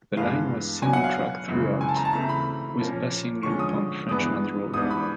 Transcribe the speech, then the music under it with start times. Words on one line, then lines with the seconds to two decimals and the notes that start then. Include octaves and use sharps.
The line was single track throughout, with a passing loop on Frenchmans Road.
0.17 G2 E3 G#3 B3 F5
0.82 B2 F#3 B3 D4 G#5
0.93 F#5
1.04 F5
1.48 F#2 C#3 E3 G#3
1.81 G#5
1.89 A5
1.97 A#5
2.05 A5
2.13 C#3 E3 A3 C4 A#5
2.29 B5
2.79 A#2 F3 A#3 C#4
3.43 D3 F3 G#3 C#4 C#6
3.59 D#6
4.09 G2 E3 G#3 B3 D4 D#6
4.74 G#2 E3 G3 B3 D4 D#6
4.91 B5